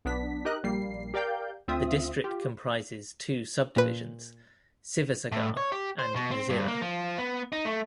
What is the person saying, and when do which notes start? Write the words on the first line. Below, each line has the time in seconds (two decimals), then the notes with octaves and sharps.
The district comprises two sub-divisions - "Sivasagar" and "Nazira".
0.05 B1 B3 D4 B6
0.45 D#4 G4 A#4 D#5 F#6
0.63 A#1 G3 A#3 C7
1.14 G4 A#4 D5 F5 G5 G6
1.68 D2 C4 F4 E5 D#6
2.24 F4 G4
3.76 A#2 B4
5.32 A2
5.57 C#5
5.72 G4
5.99 C5
6.16 B2
6.31 C4
6.50 G2
6.67 A#3
6.81 F3
7.18 B3
7.52 D#4
7.65 A3